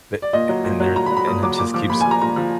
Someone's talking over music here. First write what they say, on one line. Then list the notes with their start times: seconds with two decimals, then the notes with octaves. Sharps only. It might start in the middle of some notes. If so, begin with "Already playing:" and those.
Th a and there and it just keeps
0.22 D5
0.33 A#2 D#5
0.49 F#3
0.64 A#2
0.80 F#3
0.95 A#2 A#5
1.06 B5
1.11 F#3
1.17 B5
1.27 A#2 D#6
1.43 F#3 D6
1.58 A#2 D6
1.74 F3 D6
1.90 A#2 B5
2.01 F3 G#5
2.11 A#5
2.21 A#2 A#5
2.36 F3